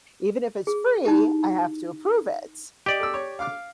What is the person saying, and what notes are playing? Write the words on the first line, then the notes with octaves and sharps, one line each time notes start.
even if it's free, I have to approve it,
G#4
D#4 E4 G4
G4 D5 D#5
A4 E6
C#5
F5 D6 F6